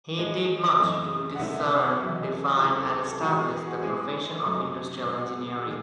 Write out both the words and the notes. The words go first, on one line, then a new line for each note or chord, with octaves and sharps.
He did much to discern, define, and establish the profession of industrial engineering.
A2 G#3 D#4 D#5
F#2 E3 A3 C4 D#4
F#5
C2 C3 D#3 A3 C#4 E5
E5
E5
F#5
F#5
E2 C#3 F#3 C#4 E4 E5
D#5
A4
F#4
C#2 C#3 G#3 C4 E4 G#4
A4
C5
A4
A2 E3 G#3 F#4
G#4
G#4
F#4
A2 G#3 C4 G#4
F#2 C#3 F#3 A3 D#4
C#3 G#3 C4 D#4 G#4
F#4
G#4
F#4
D#3 G#4